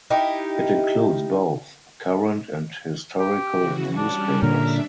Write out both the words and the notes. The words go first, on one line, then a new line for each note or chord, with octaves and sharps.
It includes both current and historical newspapers.
D#4 E4 G4 A#4
G4
C#3 E3 F#4
G3 C#4 D4
A#2 D3 D4 A#4 E5